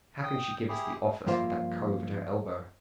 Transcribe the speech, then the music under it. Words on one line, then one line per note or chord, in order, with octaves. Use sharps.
"How can she give us the office with that cove at her elbow?"
G5 D#6
E4 G4 G#4
G2 F3 A#3 F4 C5 E5